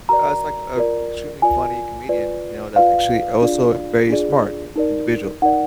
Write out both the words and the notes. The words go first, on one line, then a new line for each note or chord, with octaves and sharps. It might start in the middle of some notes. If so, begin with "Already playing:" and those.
uh, it's, like, uh, extremely funny comedian, you know, that's actually also a very smart i individual b
F#4 A#4 D5 A#5
F4 A#4 D5
F4 A#4 D5 G#5
F4 B4 D5
F4 B4 D5 F5
D4 F4 G#4 D5
D4 F4 G#4 D5
D#4 A#4 D5
D#4 A#4 D5 F#5